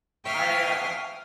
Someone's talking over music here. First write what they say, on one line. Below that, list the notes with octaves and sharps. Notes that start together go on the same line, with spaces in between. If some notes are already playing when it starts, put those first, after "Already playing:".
I, uh
E5 F5 G5 C#6 D#6 F6